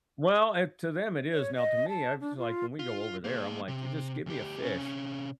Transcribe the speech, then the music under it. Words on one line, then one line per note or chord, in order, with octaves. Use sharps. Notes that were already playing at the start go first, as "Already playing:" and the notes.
Well and to them it is, now to me, I was, like when we go over there, I'm like, "Just give me a fish,"
C#5
D#5
A5
D4
F4
F4
A#3 G#4
C3
D2 G4
C3 C#4